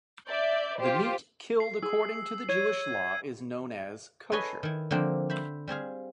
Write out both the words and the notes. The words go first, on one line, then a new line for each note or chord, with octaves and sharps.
The meat killed according to the Jewish law is known as kosher.
D5 E5 G6
F4 G4 C5
C7
G#4 E6
C#5 G#6 D#7
A4 B4 C#5 D#5 G#5 C6
D#3 E4
D3 F3 A#3 C4
C5 E5 B5
G3 C4 G#4 F5